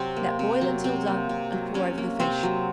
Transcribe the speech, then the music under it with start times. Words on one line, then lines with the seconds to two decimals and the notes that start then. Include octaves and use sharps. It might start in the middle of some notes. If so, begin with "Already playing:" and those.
Let boil until done and pour over the fish.
Already playing: C3 F#3 C4
0.16 A#3
0.39 C3
0.61 F#3
0.84 C3 C4
1.07 A#3
1.29 C3
1.52 F#3
1.74 C3 C#4
1.98 A#3
2.20 C3 C4
2.43 F#3